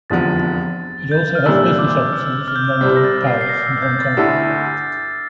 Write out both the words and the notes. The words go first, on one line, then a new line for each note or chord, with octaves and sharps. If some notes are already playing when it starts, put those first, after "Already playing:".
It also has business offices in London, Paris and Hong Kong.
F1 E2 D3 F3 A6
G6
F6
C2 A#2 G3 A#3 D4 E6
D6
E6
F6
G6
F6
C2 C3 G3 C4 G6
A#6
A6
C7
C7
A#6
E6
G6
A6
D2 D3 A3 E4